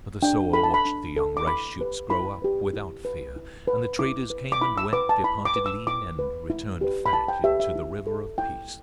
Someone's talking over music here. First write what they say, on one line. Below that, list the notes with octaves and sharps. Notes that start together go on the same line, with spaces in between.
But the sower watched the young rice-shoots grow up without fear, and the traders came and went, departed lean and returned fat into the river of peace.
D4 G5
A4 B5
A5
B5
D4
A4
D6
E4 B5
G4 B4
E4 B5
G4 B4
E4
B4
E4
B4
E4 D6
B4
D6
E4 B5
E6
B4 D6
A5
E4 B5
D6
B4
E6
E4 D6
B4
E4
G4 B4
B5
E4 A5
G5
G4 B4 E5
E5
E4
A4
E4 G5